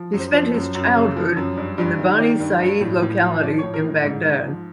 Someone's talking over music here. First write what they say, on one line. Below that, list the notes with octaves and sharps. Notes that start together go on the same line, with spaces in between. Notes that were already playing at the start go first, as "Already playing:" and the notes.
He spent his childhood in the Bani Said locality in Baghdad.
Already playing: F3
F#2 C5
F3 C5
F#2
F#2
C#3
F3
F#2
G2
G2
D#3
D#3 D5
G2
G2
A2
A2
F3
F3 D5
C#5
A2
A#4
A2
G#2
G#2
F3